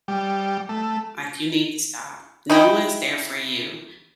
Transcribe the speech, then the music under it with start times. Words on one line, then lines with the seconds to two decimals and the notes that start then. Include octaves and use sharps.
Like, you need to stop. No one's there for you.
0.08 G3
0.69 A3
2.50 D#4 E4 G5